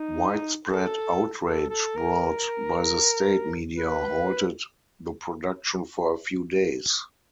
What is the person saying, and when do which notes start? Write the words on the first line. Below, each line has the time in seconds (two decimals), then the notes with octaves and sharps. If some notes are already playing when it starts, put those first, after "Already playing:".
Widespread outrage brought by the state media halted the production for a few days.
Already playing: D#4
0.66 A4
1.44 A4
1.69 A4
1.96 A#4
3.77 B4